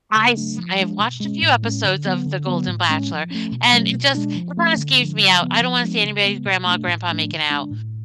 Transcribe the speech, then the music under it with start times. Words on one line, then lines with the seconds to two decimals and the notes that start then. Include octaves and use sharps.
I s I have watched a few episodes of The Golden Bachelor, and it just it kinda scares me out I don't wanna see anybody's grandma or grandpa making out,
0.16 C#3
0.37 F#3 A3 D4
0.58 F3
0.79 G#3 D4
1.00 B2
1.20 G#3 C#4
1.42 A2
1.63 G#3 C#4
1.84 D3
2.05 F#3 B3
2.26 D3
2.47 F#3 B3
2.68 A2
2.89 G#3 C#4
3.10 F3
3.31 A3 C#4
3.52 B2
3.73 F#3 A3 C#4
3.94 B2
4.15 G#3 D4
4.36 F3
4.57 A3 C#4
4.77 D3
4.99 F3 G#3 D4
5.20 C#3
5.41 F3 B3
5.61 F3
5.82 G#3 B3 D4
6.03 C#3
6.25 G#3 B3
6.45 B2
6.66 A3 D4
6.87 A2
7.09 F3 A3 D4
7.30 D3
7.51 G#3 D4
7.71 A2